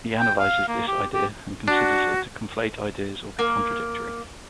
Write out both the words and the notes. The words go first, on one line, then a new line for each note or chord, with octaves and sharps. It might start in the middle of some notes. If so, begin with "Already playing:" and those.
He analyzes this idea and considers it to conflate ideas or be contradictory.
G5
F5
A#3
G4
G4
D4 F#4
A#3